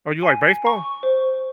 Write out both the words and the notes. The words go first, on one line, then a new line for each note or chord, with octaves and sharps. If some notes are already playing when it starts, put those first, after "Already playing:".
Oh, you like baseball?
G#5
C#6
C5